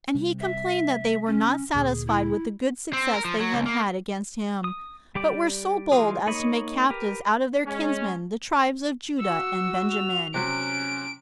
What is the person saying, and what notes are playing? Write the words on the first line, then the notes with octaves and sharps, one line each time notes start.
And he complained that they were not satisfied with the good success they had had against him, but were so bold as to make captives out of their kinsmen the tribes of Judah and Benjamin.
C3 G3
E5
C#4
D2 A#2 G#4
E4
C4
A#4
F3
F#3
C#2
A#3
D#6
G3 G4 D5
E3 G#3 F4 G#4
A#3 D#4 C#5 D#5 B5
G4 A#4 B4
G#3 C#4
F#4 E6 C#7
F7
C3 F#3 C#4 F#6 D7